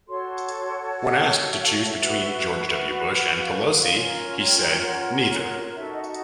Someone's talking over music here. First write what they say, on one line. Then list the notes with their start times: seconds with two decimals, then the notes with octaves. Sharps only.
When asked to choose between George W. Bush and Pelosi, he said "neither".
0.08 F#4 A4 C#5 C6
1.03 F#5
1.50 E5
1.59 F5
1.67 E5
1.97 F#4 B4
3.39 F5
3.87 C#4 F4 A#4 C#5
4.34 F#5
4.45 G5
4.57 G5
4.69 G5
4.81 F#5
5.76 D#4 F#4 A4 E5
5.92 D#5
6.02 E5
6.07 D#5